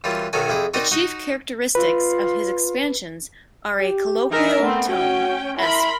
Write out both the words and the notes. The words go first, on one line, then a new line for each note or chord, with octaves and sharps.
The chief characteristics of his expansions are a colloquial tone, esp.
F#2 E3 G3 F4
B1 D#3 F#3 C#4 A4 G#5
F2 E4 G4 G#4
C4 D#4 F#4 A#4 D5 D#5
D#4 F#4
F4 B4
G4
E3 D#4 A#4 E5
A3 B3 C4
C#4 F#4 G5
E4 A#4 B5 C6